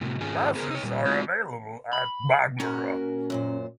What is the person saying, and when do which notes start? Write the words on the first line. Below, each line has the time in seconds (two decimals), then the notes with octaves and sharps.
Buses are available at Baghmara.
0.01 A2 C3 F#3
0.20 G#2 D#3 C#4 F4 G#4
0.55 B3 G#4 A#4 C5
0.71 D#4 C#5
0.83 A#2 G3
1.05 G#3 C4 D#4 F4 F#4
1.93 B5
2.60 A#2 C#4 F#4 A#4
3.30 F#2 A#2 C5